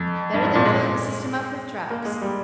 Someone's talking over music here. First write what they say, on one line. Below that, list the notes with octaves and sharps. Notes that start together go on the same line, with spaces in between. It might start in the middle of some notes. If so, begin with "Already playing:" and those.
Better than filling the system up with drugs.
Already playing: F2
G2
G#2
A#2
G#3
A#3
G#3
G3